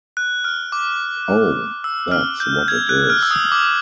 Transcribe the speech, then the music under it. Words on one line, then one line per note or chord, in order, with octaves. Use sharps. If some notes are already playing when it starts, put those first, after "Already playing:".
Oh, that's what it is.
F#6
F6
D6
E6
F6
G6
G#6
F#6
F6
E6
D#6
D6